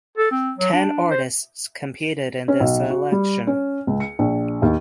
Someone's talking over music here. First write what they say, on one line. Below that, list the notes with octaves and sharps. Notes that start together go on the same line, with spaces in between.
Ten artists competed in the selection.
A4
C4
F#3
D4
C5
C#4
B1
F#4
G3
C#4
C#2
C#7
A#1
D#2